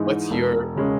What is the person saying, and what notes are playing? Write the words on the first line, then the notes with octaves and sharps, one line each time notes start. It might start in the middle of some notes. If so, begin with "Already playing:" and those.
What's your
Already playing: G#2 E3 G#3 D#4
E1
C#3 G#3 C#4